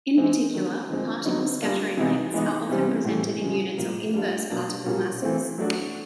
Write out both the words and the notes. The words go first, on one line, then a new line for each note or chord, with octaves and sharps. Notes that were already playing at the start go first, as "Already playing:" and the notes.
In particular, particle scattering lengths are often presented in units of inverse particle masses.
E3 G#3 C4
D#3 F#3 A#3
D3 F3 G#3 C4
D3 F#3 B3 D#4
G3 A#3 D4 F4
C3 E3 G#3 B3 D#4
E3 G#3 B3 D#4
C3 E3 G3 C4
A2 E3 A3
C#3 F3 G#3
A2 F3 A#3
G3 A#3 D4 F4
B2 F#3 A#3 D4
A#2 G3 A#3 C#4 F#4
E3 A3 C4
F#3 A3 D4 F#4